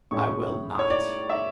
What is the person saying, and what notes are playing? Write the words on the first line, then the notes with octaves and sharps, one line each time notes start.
"I will not."
A2 G#3 C#4 C#6
C#5
D5
E5